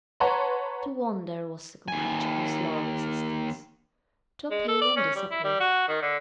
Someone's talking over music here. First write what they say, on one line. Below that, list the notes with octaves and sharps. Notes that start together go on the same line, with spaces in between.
To wander was the Comprachicos' law of existence--to appear and disappear.
B4 C#5 F#5 A5 A#5 C6
D#2 G#5
G#3
A4
D5
C#4
G3
E4
G3
F#4
D#3
D3